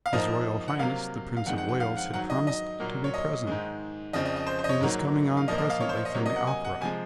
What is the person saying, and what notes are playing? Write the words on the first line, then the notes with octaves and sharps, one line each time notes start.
His Royal Highness the Prince of Wales had promised to be present. He was coming on presently from the opera.
F5
G#2 F3 A#3 D#5
F#5
C3 F#3 A#3 F5
F5
F2 D#3 G#3 F#5
F#5
F#5
F5
F#5
G#2 D#3 F#3 F#5
D#5
D#5
A#2 F#3 A#3
C#5
D#5
G#2 D#3 G#3
F2 C#3 F3 D#5
D#5
D#5
C5
C5
D#5
C#5
G#2 D#3 F#3 A#3
F5
A#2 F3 A#3 D#5
D#5
F5
C#5
C5
C#5
D#5
C3 F#3 A#3 C#5
D#5
F#5
G#5
F#5
C3 F3 G#3 G#5